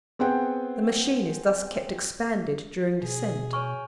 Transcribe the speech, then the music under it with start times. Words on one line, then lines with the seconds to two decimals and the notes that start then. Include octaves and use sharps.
The machine is thus kept expanded during descent.
0.19 B3 C4 G#4 F#5 G5
3.02 B2 G#4
3.53 C#5 G#5 C#6 F6